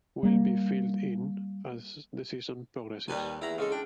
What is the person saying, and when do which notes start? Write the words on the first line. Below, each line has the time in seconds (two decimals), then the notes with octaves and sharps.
Will be filled in as the season progresses.
0.23 G3 A#3
3.08 D#2 G3 B4 G#5
3.42 E2 E4 A#5 B5
3.58 C#3 G#3 A4
3.72 D4 G5